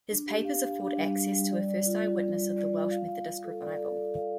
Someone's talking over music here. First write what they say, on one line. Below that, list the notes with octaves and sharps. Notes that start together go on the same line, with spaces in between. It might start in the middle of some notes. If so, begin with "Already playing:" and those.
His papers afford access to a first eye witness of the Welsh Methodist revival.
D4
G4
F5
F5
D4
G3
G3
G3
D5
D5
F4
F4
F4
G3
D5
F4
F5
F5
F5
A4
D5
A4
A4
F5